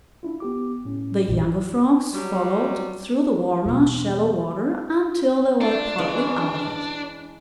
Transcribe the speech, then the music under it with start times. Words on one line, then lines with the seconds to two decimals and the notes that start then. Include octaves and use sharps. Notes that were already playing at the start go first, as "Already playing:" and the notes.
The younger Frogs followed through the warmer shallow water until they were partly out of it.
0.23 D4 E4 F4
0.40 B3 G4 D6
0.85 A2 C#4
1.28 A#1 F#2 E3
2.14 F#3 G3
3.65 E2 B2
5.61 D4 F4
5.98 E3 G#3 C#4